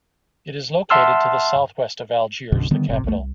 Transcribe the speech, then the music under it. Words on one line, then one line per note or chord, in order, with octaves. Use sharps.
It is located to the southwest of Algiers, the capital.
E5 F#5 A5 C6 E6 F6
B1 F#2 B2 D3
D3 D#3 G3 B3
F#1 A2 C3
A#1 E2 A3
C2